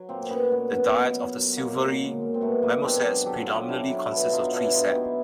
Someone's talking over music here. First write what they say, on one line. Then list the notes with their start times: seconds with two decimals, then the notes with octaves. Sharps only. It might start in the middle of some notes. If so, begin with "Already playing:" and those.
The diet of the silvery marmosets predominantly consists of tree sap.
Already playing: F#3
0.09 A#2 A#3 C4
0.22 C4
0.30 A#2 B3 C#4
0.51 A#2 B3 C#4
0.72 F#3 B3 C#4
0.94 A#2
1.15 F#3
1.37 F#3
1.57 A#2 G#3 A#3
1.79 F#3
2.00 A#2
2.21 A#2
2.34 C4
2.41 B2 A3 B3
2.63 F#3 G#3 A#3
2.83 B2 C4 D4
3.05 F#3 F#4 G#4
3.26 F#3 G4 A4
3.47 F#3 F4 G4
3.68 F#3 D4 E4
3.89 F#3
4.11 B2 D4 E4
4.32 F#3 D#4 F4
4.53 B2 D4 E4
4.74 B2 D#4 F4
4.88 G4
4.95 B2 E4 F#4